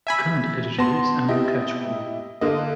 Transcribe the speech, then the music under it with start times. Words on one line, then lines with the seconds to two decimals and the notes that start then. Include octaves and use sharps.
The current editor is Andrew Catchpole.
0.07 E5 G#5 B5
0.79 B3 A5 C6 A#6
1.28 E4 G4 D#5
2.41 D3 A#3 D#5